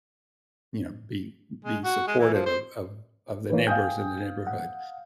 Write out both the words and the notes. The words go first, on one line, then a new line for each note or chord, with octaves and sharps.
you know, being being supportive of of of the neighbors in the neighborhood.
G#3
F#4
G#3
E3
F3
C5
A2 E3 A#3 B4 C#5
F5 G5 G#5 D#6 G6
F#5